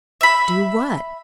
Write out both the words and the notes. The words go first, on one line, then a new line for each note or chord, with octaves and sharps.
"Do what?"
E5 B5